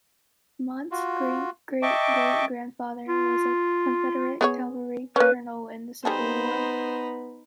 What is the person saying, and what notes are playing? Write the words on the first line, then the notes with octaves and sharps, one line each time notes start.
Mount's great-great-great grandfather was a Confederate cavalry colonel in the Civil War.
F4 F#4
D#5 E5 G5 A5 C#6 D6
F4
B3 G#4 C#5
A#3 C#4 B4
G3 B3 D#4 G#4 A4 C5 B5